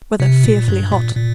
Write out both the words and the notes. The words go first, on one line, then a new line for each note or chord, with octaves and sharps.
Weather fearfully hot.
C3
A#2
G2
A#2
A#2